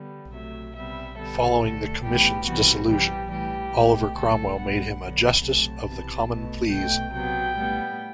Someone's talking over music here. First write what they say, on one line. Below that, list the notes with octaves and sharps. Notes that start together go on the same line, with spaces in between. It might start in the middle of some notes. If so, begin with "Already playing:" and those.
Following the Commission's dissolution, Oliver Cromwell made him a Justice of the Common Pleas.
Already playing: D3 G3 B3
C3 F#3 A3 E5
C3 G3 B3 E5
D3 G3 B3 A4
D3 A3
A2 E3 G3 B3 G4
C3 E3 G3 B3 F#4
C3 E3 G3 G4
A2 E3 G3 G4
B2 A3
D3 F#3 A3 A4
A2 G3 B3 F#5
D3 F#3 B3
C3 F#3 A3 A5
C3 E3 B3
B2 A3
B2 A3 G5
C3 F#3 B3 G5
A2 G3 B3